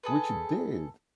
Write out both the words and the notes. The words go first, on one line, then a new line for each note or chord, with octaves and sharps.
Which it did.
G#4 A4 B4